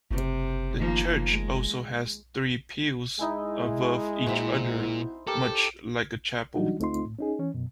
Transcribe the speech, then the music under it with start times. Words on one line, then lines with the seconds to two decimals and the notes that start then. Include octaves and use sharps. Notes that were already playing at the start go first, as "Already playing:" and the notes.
The church also has three pews above each other, much like a chapel.
0.11 F#1 C3
0.78 D#3 F3 A#3
1.29 G#3
3.19 G#3 D#4 E4 G#5
4.26 A#2 C4 E4 F#4 C5
5.27 G4 A4 A#4
6.55 E3 F#3 G3 D4 D#4 F#4
6.79 D2 A3 C4 D#4 F4 C6
7.05 A2
7.19 C#4 D#4 G#4
7.39 E3 C#4
7.54 F#2 B2